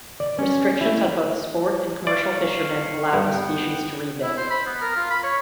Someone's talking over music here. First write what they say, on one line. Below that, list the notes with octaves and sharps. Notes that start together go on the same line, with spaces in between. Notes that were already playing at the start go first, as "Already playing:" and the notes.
Restrictions on both sport and commercial fishermen allowed the species to rebuild.
D5
C#4
E4
D5 F5 C#6
G2 B3 F#5 G5
E4
C5
B5
B3
A#4
F4
B5
C#5